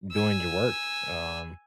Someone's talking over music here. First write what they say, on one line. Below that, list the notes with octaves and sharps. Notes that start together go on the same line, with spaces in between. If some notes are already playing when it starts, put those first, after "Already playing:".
doing your work, um,
G#5 E6